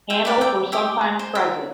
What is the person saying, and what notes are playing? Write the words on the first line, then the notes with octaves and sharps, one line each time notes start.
Handles were sometimes present.
E5 G5
G4 B4 D5
E5 G5
G4 E5 G5
C5
E5 G5